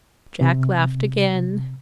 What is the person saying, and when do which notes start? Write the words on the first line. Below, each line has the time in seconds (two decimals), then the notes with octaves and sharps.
Jack laughed again.
0.41 C3